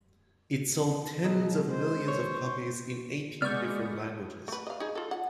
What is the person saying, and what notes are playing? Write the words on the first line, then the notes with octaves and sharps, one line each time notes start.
It sold tens of millions of copies in eighteen different languages.
B2 F#3 G#3
G#3 C5
C#5
G#3 B3 D5 C#6 F6 G6
A3 B4
D#5 F5
D#4 G#4
F4 A4
F#5